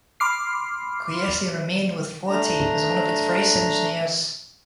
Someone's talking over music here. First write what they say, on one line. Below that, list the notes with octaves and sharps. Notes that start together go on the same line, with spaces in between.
Guerci remained with Forti as one of its race engineers.
B5 C6 D6 F6 C7
A3 D4 A#5